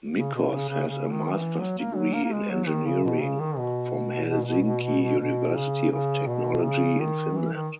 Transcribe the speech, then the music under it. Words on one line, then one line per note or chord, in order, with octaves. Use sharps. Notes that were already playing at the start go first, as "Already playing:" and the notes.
Mickos has a master's degree in Engineering from Helsinki University of Technology in Finland.
C#3
B2
C#3
C#3
C#3
D#3
E3
F#3
A#3
F#3
A#3
A#3
G#3
F#3
D#3
C#3
B2
C#3
D#3
B2
B2
C#3
C#3
B2
C#3
D#3
E3
D#3